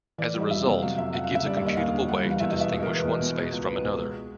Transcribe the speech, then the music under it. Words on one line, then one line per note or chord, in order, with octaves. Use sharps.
As a result, it gives a computable way to distinguish one space from another.
E3 D5
G3
D#5
F2 E5
C3
F#3 F5
F2 E5
F2 F#5
F5
C#3
E5
G3 D5
E5
D#2 D#5
D#2 F5
D3
G3 F#5
E2
F5
E2 E5
D#5
B2 E5
G#3 D#5
E2 A#4
B4
E2
B2
G#3
C#2
C#2 B4
B2
G#3